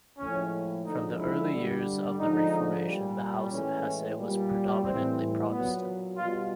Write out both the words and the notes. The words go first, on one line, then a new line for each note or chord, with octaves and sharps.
From the early years of the Reformation, the House of Hesse was predominately Protestant.
A2 F3 G#3 C#4
D3 F3 G#3 D#4
E4
D3 G3
D3 F3 G#3 D#4
A#2 G3
A2 E3 G#3 C#4
A#2 G3
A2 E3 G3 C4
A#2 F#3 B3
B2 G3 F4